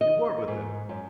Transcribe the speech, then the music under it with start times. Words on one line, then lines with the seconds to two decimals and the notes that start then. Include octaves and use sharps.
"You were with him?"
0.01 D#5
0.48 G#2
0.89 F#2